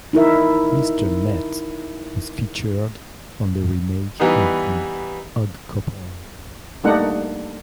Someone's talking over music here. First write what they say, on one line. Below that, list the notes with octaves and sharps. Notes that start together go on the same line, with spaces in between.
Mr. Met was featured on the remake of "The Odd Couple".
D#4 E4 A#4 E5
E3 G3 B3 D#4
G3 A3 A#3 D4 D#4 F#5